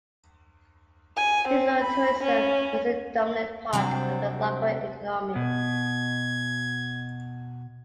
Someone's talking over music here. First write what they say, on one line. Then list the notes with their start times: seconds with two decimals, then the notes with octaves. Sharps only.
Seasonal tourism is a dominant part of the local economy.
1.17 G#5
1.48 C4
1.83 B5
2.24 C#4
3.73 C3 F#3 G3 C4 D4
5.36 B2 G#6